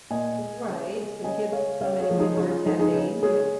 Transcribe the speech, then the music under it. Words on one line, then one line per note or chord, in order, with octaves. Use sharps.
Right, and get how many people are attending yeah.
A#2 D#5 G#5
G#3
C#3
G#3
C#3 D#5 G#5
G#3 C#5 F5
C#3 C#5 F5
G#4 C#5
F3 G#3
D#4 G#4
C#3 F4
F4
F3 G#3 D#4 G#4
D#4 G#4
C#3
G#3 G#4 C#5